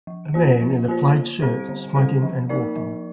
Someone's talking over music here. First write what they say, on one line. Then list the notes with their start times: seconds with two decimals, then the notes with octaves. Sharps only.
A man in a plaid shirt smoking and walking.
0.07 F3
0.34 A#3 F4 C5
0.61 F3
0.88 A#3 F4 C5
1.15 D3
1.42 G3 C4 G4 C5
1.69 D3
1.95 G3 C4 G4 C5
2.22 F3
2.49 A#3 D#4 A#4 D5
2.76 F3